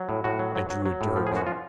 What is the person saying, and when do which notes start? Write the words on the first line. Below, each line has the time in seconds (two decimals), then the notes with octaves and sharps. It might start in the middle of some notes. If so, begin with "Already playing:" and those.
I drew a dirk.
Already playing: F#3
0.09 A2
0.24 A2 F#4
0.39 F#3
0.55 F#3
0.70 F#3
0.86 F#3
1.01 A2
1.16 F3
1.27 G#4
1.32 F#2 F#4
1.46 F4